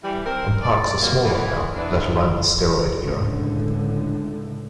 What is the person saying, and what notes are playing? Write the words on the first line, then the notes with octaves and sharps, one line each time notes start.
And parks are smaller now, let alone the steroid era.
E3 G3
C4 A#4
D5
C3 F#3 A#3
E3 B3 G#4 A#4
E3 A3 B3 D4 E4
C#2 A2 D3